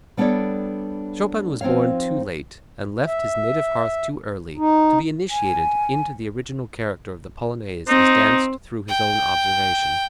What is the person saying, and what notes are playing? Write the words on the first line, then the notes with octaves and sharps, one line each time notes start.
Chopin was born too late, and left his native hearth too early, to be initiated into the original character of the Polonaise as danced through his own observation.
G3 B3 D4 A4 C#5 D5
F3 C4 D#4 C#5 F5
E5
D#4
G#5
C4 D#4
G5